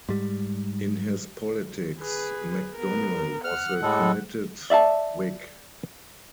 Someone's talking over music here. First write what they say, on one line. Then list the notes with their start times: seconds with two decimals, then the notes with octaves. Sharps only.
In his politics McDonnell was a committed Whig.
0.09 G#2 G3
1.99 G#4 B4
2.77 B3 A#4
3.44 F#5 F6
3.82 A2 G#3 A4
4.70 D5 E5 F5 A5